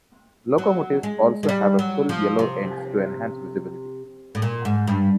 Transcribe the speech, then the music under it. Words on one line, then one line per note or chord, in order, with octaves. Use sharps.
Locomotives also have full yellow ends to enhance visibility.
F#3
G#3
G#3
G3
F#3
F3
C3
A2
A#2
G#2
G2